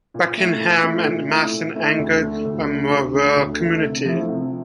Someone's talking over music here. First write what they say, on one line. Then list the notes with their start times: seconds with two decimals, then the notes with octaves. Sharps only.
Buckingham and Masson-Angers are more rural communities.
0.14 A#2
0.37 A3 E4
0.60 A#2
0.83 A3 E4
1.06 A#2
1.29 A3 E4
1.52 A#2
1.75 A3 E4
1.99 D2
2.22 D3 A3
2.45 D2
2.68 D3 A3
2.90 D2
3.13 D3 A3
3.36 D2
3.60 D3 A3
3.83 C3
4.05 F3 A3 E4
4.29 C3